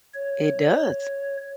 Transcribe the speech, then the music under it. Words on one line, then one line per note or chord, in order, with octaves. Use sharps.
It does.
C#5